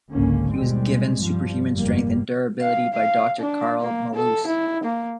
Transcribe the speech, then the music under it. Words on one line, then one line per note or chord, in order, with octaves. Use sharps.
He was given superhuman strength and durability by Doctor Karl Malus.
G#1 C#2 G#2 D3 A#3 C#4
D#2 B2 G3 G#3 C4
G2 F3 G3
F#1 F2 G#2 G3 A#3
F5
F5
D4
A#3
A4
E4
A#3